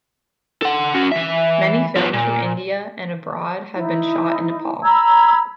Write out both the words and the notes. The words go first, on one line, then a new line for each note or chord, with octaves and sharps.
Many films from India and abroad have been shot in Nepal.
A4 F#5
C#4 F#4
E3 E5
F3 B3
A#2
D#4 E4
A#5 B5 E6 G#6